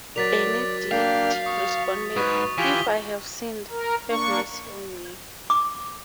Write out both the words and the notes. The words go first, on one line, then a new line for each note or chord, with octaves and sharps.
Benedict responded, If I have sinned, have mercy on me.
F#3 A#4 D5 A6 B6 F7
A#3 D4 F5 G5
C#6 D#6
G#2 B4 C#6 D#6
E3 F4 G4 G#5 B6 F7 G7
A#4
A#3 D4 C#6
D6